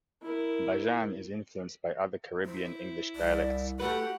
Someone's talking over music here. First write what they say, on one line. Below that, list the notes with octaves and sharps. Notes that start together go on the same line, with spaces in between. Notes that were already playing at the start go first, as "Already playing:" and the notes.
Bajan is influenced by other Caribbean English dialects.
E4 A#4
E4 C5
C2 D5
A3 F#4 G4 A4 B4 F#5